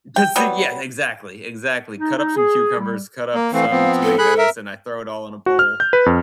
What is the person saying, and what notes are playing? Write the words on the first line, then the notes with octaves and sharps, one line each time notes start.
Tzatziki yeah, exactly, exactly. Cut up some cucumbers, cut up some tomatoes, and I throw it all in a bowl,
G5
F#3 G3 B3
D#4
D#4
G#4
G3
A#3
E3 A3 C4 F5
F3 B3 C4
A4
G#4 B5 F#6
A#4 E5
F#4
F6
G6
B4
F2